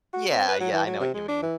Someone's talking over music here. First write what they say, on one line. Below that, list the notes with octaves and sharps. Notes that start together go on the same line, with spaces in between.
Yeah, yeah, I know what you mean.
F#4
C4
B4
F#3
E3
F#3
C3
G#3
D4
E3